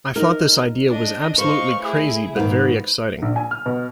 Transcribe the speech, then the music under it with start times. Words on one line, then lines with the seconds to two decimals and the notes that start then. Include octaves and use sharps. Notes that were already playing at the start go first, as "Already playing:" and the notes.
I thought this idea was absolutely crazy but very exciting.
0.16 D#4 A#4
0.89 D4 D#5
1.38 B4 C5 D#5 F5 C#6
1.80 A3 E4 G#4
2.36 G#2 D#3 B4
3.22 A#1
3.36 G#5
3.51 F6
3.66 B2